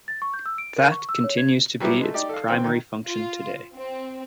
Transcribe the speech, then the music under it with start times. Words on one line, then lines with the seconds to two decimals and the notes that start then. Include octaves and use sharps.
That continues to be its primary function today.
0.08 A6
0.22 C#6
0.34 G6
0.46 E6
0.58 D7
0.76 A#4
0.92 C#6
1.09 E6
1.24 C#5
1.38 G#6
1.80 F#3 G3 B3 E4 G4
2.01 G#3 A3
2.14 D#4 G4 D5
2.29 A4 F5
2.48 E3 C4 G5 E6
2.64 D#3
3.07 F4
3.75 C4